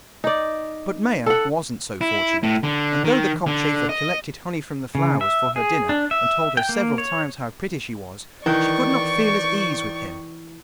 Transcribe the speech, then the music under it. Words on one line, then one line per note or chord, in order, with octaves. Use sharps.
But Maia wasn't so fortunate, and though the cockchafer collected honey from the flowers for her dinner, and told her several times how pretty she was, she could not feel at ease with him.
D#4 D5
A4 F#5
E4
A2
D3
D#3
D3
D#5
C#3
E5
G#4
D4
E5
G5
A#3
C#5
D#3 E3 D5 C#6